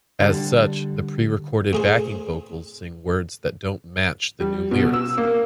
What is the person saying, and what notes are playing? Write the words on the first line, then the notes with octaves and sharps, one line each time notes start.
As such, the prerecorded backing vocals sing words that don't match the new lyrics.
D3 G3
A2 G#4 C5
G3
B2
E6
A#3